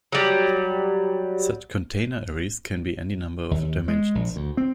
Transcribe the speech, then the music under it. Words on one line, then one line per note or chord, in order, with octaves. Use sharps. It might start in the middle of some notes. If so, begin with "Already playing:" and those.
Such "container" arrays can be any number of dimensions.
F#3 G3
D#2
G#3
A#1
D2
C4